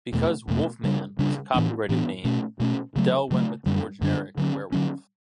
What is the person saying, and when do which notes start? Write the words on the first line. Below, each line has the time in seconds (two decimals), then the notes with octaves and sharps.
Because "Wolfman" was a copyrighted name, Dell went with the more generic "Werewolf".
0.13 E2 B2 A3
0.48 E2 B2 A3
0.84 C#3 G3 D4
1.19 C#3 G3 D4
1.54 A2 E3 B3 D4
1.89 A2 E3 B3 D4
2.24 B2 A3 C#4
2.60 B2 A3 C#4
2.96 C#3 F#3 A3
3.31 C#3 F#3 A3
3.66 F#2 D3 G3 D4
4.01 F#2 D3 G3 D4
4.37 D3 F#3 C#4
4.72 D3 F#3 C#4